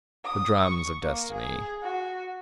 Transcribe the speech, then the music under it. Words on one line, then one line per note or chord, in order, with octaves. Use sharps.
The drums of Destiny!
D#6
C#6
A#3
G#4
F#4